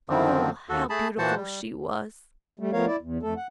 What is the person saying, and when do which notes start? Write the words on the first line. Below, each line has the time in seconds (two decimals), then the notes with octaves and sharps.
Oh, how beautiful she was!
0.09 F#2 D3 D#3 F3 C4
0.69 D#2 F#4 A4
0.90 A3 G#4 A5 B5
1.18 A#2 E3 F#4 C5 F#5 A5
1.36 G3
2.60 G3 A3
2.73 F3 A3 B3 A#4 C#5 F5
2.87 E4 D5
3.01 E2
3.23 F2 A3 A4
3.37 F#5